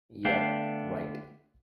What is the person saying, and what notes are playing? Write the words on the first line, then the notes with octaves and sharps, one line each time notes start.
Yep, right!
D3 A3 B3 D4 F5 G5